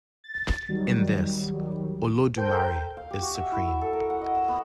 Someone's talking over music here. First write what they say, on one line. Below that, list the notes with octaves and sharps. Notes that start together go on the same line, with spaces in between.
In this, Olodumare is Supreme.
A6
D#3 F#3 G3
A4 A#4 C5 G5 G6
F5
G4
F#4
E5
E4
E5
A4
A#4
F#5
D#5
E6
B3